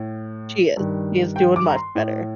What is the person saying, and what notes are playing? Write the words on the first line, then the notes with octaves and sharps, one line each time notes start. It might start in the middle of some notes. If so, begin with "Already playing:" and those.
She is, she is doing much better.
Already playing: A2
G2 D#3
G5
D6
A#5
C6
A2